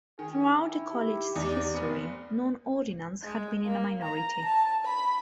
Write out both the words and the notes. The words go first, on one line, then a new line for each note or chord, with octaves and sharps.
Throughout the college's history, non-ordinands had been in a minority.
D#3 G#4
E4
G4
E2 D#4 D5
F1 B3
G#3
A#3
A#5
A5
B5